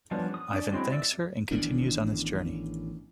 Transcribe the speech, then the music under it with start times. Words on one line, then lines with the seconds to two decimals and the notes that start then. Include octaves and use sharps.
Ivan thanks her and continues on his journey.
0.11 F3 G3 B3 C#4 D4
0.34 D#6
0.53 C#4 D4 D5
0.71 F#3 G#3 C4 E4
0.91 D5 E5 E6
1.51 A1 D#3 B3 D4